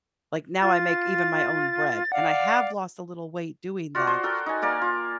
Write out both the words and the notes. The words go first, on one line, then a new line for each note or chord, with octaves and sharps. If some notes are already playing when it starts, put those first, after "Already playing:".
Like, now I make even my own bread, and I have lost a little weight doing that,
F4 A6
D5 F5 F#5
F4 F#4 D5
C5
F#4 A4 A#4 G5
D#4 G#5
A#3 A#4 D5 F5
F4